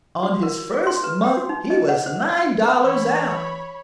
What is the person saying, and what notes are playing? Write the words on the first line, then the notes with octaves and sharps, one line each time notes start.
On his first month he was nine dollars out.
F#4
A#4
G#4
C6
B4
G5
F#4
D#4
D#5
F#5
C5
E3 C#5 B5